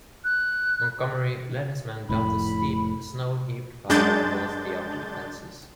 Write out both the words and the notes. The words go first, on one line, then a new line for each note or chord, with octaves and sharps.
Montgomery led his men down the steep, snow-heaped path towards the outer defenses.
F#6
F1 A2 B5
F#2 G#3 D4 G6 A6